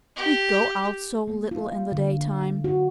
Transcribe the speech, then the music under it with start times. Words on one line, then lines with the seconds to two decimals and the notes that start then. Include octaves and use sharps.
"We go out so little in the daytime."
0.16 G4
1.28 A#3
1.51 F4
1.92 D3
2.64 F#4